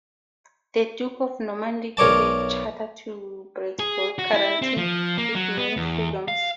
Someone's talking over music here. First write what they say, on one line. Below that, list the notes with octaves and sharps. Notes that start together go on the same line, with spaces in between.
The Duke of Normandy gave a charter to Breteuil guaranteeing it many freedoms.
B1 A#4 C#5 D5 A5
G#4
F#4
E4
C4
F3
A#3
F#3
B3
E2
F5